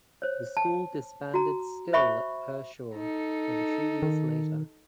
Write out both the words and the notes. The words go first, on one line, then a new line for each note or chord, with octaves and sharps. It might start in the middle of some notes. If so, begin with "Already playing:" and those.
The school disbanded still at Pershore over two years later.
C5 C#5
A5
F#4 A#5
C5 E5 B5 C#6
D#4 A4
D#3